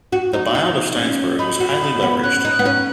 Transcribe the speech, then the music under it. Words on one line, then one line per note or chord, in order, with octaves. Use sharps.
The buyout of Steinberg's was highly leveraged.
F#4
D#4
D#4
C#4
D#4 B5
F#4
D#4
B3
C#4 F#6
D#4
B3
C#4